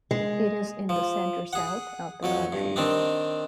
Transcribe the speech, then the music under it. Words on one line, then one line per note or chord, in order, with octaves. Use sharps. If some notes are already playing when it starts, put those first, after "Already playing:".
It is in the center-south of the country.
G#3
F3
G#4 F#5
F2 F#3 C#5
G2
D#3 C4 D4